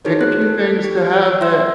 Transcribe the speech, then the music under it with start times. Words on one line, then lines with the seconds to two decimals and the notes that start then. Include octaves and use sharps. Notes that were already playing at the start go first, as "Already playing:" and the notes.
pick a few things to have that
0.05 D#4 F#4 G#4 A#4 C5 C#5
0.21 F#6
0.42 A4
0.84 G4
1.26 E6
1.41 E5 C6 E6